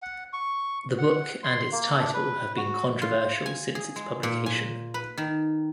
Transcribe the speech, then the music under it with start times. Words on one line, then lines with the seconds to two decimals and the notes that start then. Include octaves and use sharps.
The book and its title have been controversial since its publication.
0.02 F#5
0.33 C#6
0.98 F#5
1.43 C6
1.72 A#3
2.00 D4
2.14 B4
2.57 F#4
3.02 F4
3.46 G#5
3.75 G#4
3.96 G#3
4.23 A#2
4.46 G#5
4.94 B4
5.18 D#3